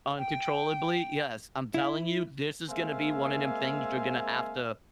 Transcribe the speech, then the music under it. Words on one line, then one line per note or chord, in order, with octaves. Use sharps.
uncontrollably yes, I'm telling you, this is gonna be one of 'em things you're gonna have to
G5
E4
G#3 A#3 C4 E5 F5 G#5